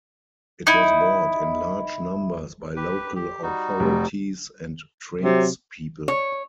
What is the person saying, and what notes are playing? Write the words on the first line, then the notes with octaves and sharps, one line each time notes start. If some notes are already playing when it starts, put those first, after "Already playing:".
It was bought in large numbers by local authorities and trades people.
D#4 E4
G4 B4
G4
G3 D#4 F#4
F1
C3 F#3
C#5